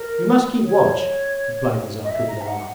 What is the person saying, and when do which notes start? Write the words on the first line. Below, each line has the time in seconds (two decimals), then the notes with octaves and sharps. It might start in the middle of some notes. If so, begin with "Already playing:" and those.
You must keep watch,' replied Nazarka with a laugh.
Already playing: A#4
0.65 C#5
2.04 D#5
2.10 E5
2.29 A#5
2.41 E5
2.47 F#5